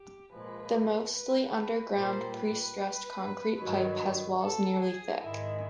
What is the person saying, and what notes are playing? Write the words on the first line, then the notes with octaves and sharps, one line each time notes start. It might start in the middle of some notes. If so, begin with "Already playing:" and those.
The mostly underground, pre-stressed concrete pipe has walls nearly thick.
Already playing: G4
A#2 F3 G#3 B4
B4
B4
A#2 G3 C5
B4
G2 D#3 F#3
A4
G#4
G#2 D#3 G#3 E4